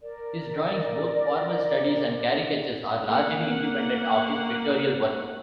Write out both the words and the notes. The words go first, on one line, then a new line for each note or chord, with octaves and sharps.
His drawings, both formal studies and caricatures, are largely independent of his pictorial work.
A#4 D5
A#3 F#5